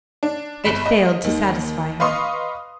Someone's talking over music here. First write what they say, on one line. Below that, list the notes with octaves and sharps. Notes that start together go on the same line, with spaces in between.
It failed to satisfy her.
D4
G1 B5 B6 E7
D#5
D#2 D#3
B4 D#5 F5 C6 C#6 D#6